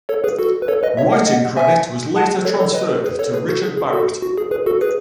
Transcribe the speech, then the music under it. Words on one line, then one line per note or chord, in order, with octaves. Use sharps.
Writing credit was later transferred to Richard Barrett.
A4 C#5
G#4 B4
F#4 A4
B4
A4 C#5
B4 D#5
C#5 E5
D#5 F#5
D#5 F#5
E5 G#5
F#5 A5
A4 C#5
A4 C#5
B4 D#5
G#4 B4
A4 C#5
G#4 B4
F#4 A4
G#4
G#4
F#4 A4
F#4
G#4
G#4 B4
F#4 A4
G#4 B4